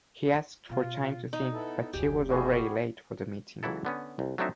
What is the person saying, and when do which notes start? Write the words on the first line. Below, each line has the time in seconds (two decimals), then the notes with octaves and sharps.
He asked for time to think, but she was already late for the meeting.
0.69 B2 F4
1.33 D#4
1.52 B3 E4 A4
1.93 F1 D2 F#3 G4 G#4
2.29 G3 F4 F#4 G#4 D#5 E5
3.63 C#2 E3 F#3 E4 A4
3.85 D3 B3 C#4
4.19 C2
4.38 F#3 A3 C4 D4 D#4 E5